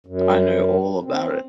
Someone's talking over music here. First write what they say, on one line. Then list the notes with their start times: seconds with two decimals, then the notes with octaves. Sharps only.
I know all about it.
0.06 F#2
1.04 C4